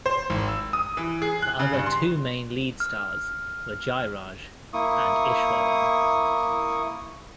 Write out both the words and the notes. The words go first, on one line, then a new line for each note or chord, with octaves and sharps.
Her other two main lead stars were Jairaj, and Ishwarlal.
C5
G#1
E6
D#6
E3
G#4
F#6
C#3
G2
C6
F6
A#3 E4 C#6 D#6